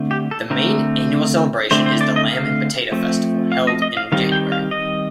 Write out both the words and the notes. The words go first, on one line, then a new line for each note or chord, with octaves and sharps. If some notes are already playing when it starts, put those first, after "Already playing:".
The main annual celebration is the Lamb and Potato Festival held in January.
Already playing: D3 A3 C4
G4
A4
D3 A3 C4 A#4
D3 A3 C4 C5
C5
D5
D#5
F5
F3 A3 C4
F5
D#5
D#5
F5
D#3 G3 C4 F5
G5
F5
D#5